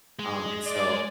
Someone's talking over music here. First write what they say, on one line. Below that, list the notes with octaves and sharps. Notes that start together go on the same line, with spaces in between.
um, and so
G#3
D5